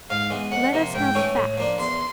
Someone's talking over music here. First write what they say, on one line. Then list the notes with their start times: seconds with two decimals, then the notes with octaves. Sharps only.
Let us have facts.
0.10 G#2 F5
0.30 E3 G#3 B3
0.51 F2 F#5
0.73 C3 F3 A#3
0.95 G#2 G5
1.15 E3 A3 C#4 E4
1.36 A2
1.58 F3 A#3 D4
1.78 E2 C6